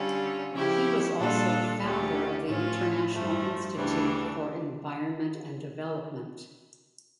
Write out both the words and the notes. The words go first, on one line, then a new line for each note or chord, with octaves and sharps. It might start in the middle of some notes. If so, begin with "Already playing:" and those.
He was also a founder of the International Institute for Environment and Development.
Already playing: D3 G3 C#4 F4
C#3 F3 C#4 E4 G4
A#2 G3 D4 F4 A4
D2 D3 A3 C#4 G4
A2 F3 C#4 F4
G2 F3 A3
D2 C#3 E3 G3 D4